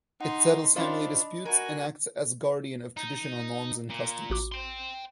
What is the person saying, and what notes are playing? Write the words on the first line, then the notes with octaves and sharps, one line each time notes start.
It settles family disputes and acts as guardian of traditional norms and customs.
D#4 F#5 C6
C#4 D4 F4 C5 D#5 B5
F#4 A#4 G#5
D#4
A#2
A1 F#4 D6
G5 C6